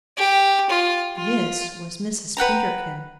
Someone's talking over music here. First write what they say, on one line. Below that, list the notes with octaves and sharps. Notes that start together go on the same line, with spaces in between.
THIS was Mrs. Peterkin.
G4
F4
F4
B4 F#5 G5 A#5